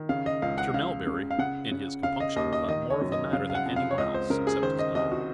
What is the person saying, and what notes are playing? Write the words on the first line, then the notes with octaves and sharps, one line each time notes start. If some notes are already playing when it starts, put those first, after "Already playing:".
Mr. Melbury, in his compunction, thought more of the matter than any one else, except his daughter.
Already playing: D#3
C#3 F5
D#5
C#2 F5
F#5
C#3 F5
C#3
F5
C#3 F#5
C#3
C#3 F5
D#5
D#2 D#5
D#5
D#3 D#5
C#5
F#2
D#5
C#3 F5
F5
F#5
F2
F5
C#5
C#2 D#5
C5
C#3 A#4
G#4
D#3 C5
D#5
C2 D#5
F#4